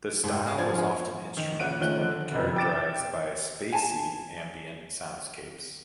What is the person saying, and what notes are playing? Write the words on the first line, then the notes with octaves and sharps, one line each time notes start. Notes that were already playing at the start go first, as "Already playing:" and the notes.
The style was often instrumental and characterized by "spacy," ambient soundscapes.
G#2 C3 G#3 A3 G4
G#3 B3 G4 D#5 F5
A2 F3 G#3 D4 G#5
B3 A#4 G#5
D#3
A#2 C#3 F#5 D7 D#7
D#3 F3 A3 C#4 F#6 G7
D3
F1 B1 F2
G5 D6 A6 D7 E7
G#5 A5